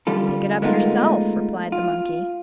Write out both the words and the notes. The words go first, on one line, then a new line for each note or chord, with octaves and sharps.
"Pick it up yourself," replied the monkey.
D3 G3 C#4 F4 A4
G#3 A3 B3 D#4 F4 A#4
F4